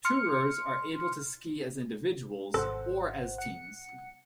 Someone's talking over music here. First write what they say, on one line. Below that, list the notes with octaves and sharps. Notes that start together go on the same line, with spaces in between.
Tourers are able to ski as individuals, or as teams.
C6 F6 C#7
G#1 A4 C5 F#5
F#5 C#7